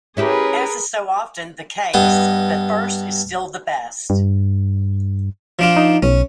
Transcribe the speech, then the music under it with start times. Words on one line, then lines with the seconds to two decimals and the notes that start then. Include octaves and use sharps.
As is so often the case, the first is still the best.
0.17 C#4 E4 G4 G#4 A#4 B4
1.94 G2 B3 D#5
4.10 G2
5.59 F3 D4 F4
5.76 D#4
6.03 B1 C#4